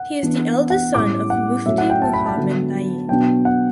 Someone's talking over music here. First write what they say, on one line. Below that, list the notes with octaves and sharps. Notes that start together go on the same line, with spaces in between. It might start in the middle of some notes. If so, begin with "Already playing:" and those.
He is the eldest son of Mufti Muhammad Naeem.
Already playing: F#5
E3 B3 D4
F#5
A2 G3 C#4 D6
F#5
A2 F#3 A3 C#4 E5
F#5
G5
A5
B5
A5
D3 F#3 B3
B2 F#3 B3 D4 G5
F#5